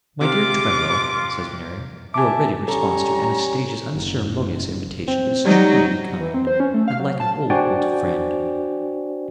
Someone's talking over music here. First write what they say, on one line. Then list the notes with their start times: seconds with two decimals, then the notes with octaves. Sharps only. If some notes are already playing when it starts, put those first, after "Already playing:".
'My dear Twemlow,' says Veneering, 'your ready response to Anastatia's unceremonious invitation is truly kind, and like an old, old friend.
0.21 C3 F4 D6
2.14 E5 G#5 A5 D6
2.68 G3 C#4 A4 C#5 A#5
3.95 F#1
5.08 C4
5.45 F#3 G3 D#4
6.20 E3
6.34 C4
6.47 C5
6.60 C#4
6.74 A3
6.88 F5
7.00 F#3
7.20 A5
7.50 D4 F#4 C5 D5 G5 G#5